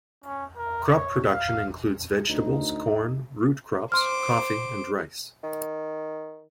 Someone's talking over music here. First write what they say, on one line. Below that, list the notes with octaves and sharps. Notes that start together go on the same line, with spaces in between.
Crop production includes vegetables, corn, root crops, coffee, and rice.
C#4
A#4
C#5
F5
D2 D#4
C5 C6 D6 F6
D#3